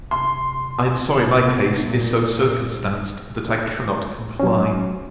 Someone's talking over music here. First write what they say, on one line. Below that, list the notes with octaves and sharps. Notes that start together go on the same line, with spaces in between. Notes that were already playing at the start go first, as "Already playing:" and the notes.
I am sorry my case is so circumstanced, that I cannot comply.
C3 C6
C3 B3
A#2
F#3 C#4